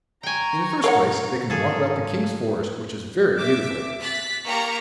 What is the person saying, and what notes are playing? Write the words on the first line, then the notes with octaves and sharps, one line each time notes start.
"In the first place, they can walk about the king's forest, which is very beautiful."
G5 G#5 A#5 C#6
A#4 C#5 F5 F#5
G#2 D#3 A#3 G#4 A4 F5
E5 D6
F#6 A6 B6
A#3 G4 A#4 A#5 C#6